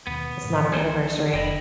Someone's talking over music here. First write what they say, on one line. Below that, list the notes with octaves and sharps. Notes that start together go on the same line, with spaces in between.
it's not an anniversary,"
D#2 B2 D#3 B3
G#2 C3
C2 F#3 G#4 A4 C5
F1 E4 D#5 G5